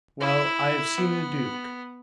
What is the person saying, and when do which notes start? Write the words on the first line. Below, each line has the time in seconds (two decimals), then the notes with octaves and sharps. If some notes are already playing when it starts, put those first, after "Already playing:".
"Well, I have seen the duke."
0.21 E4
0.98 B3